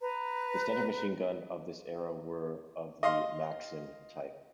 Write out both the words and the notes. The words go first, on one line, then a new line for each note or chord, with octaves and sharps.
The standard machine guns of this era were of the Maxim type.
B4 A#5
D#5 F5 C6